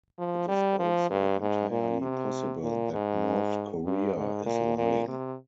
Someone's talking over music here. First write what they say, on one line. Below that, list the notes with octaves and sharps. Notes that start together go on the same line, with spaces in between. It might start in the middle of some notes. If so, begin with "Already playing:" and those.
It is also entirely possible that North Korea is lying.
F3
G3
F3
G2
G#2
A#2
C3
A#2
G#2
G2
G#2
A#2
A#2
C3